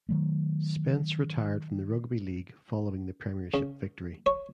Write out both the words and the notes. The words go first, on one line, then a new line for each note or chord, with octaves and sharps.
Spence retired from rugby league following the premiership victory.
D#3 F#3 A3
C#3
C#5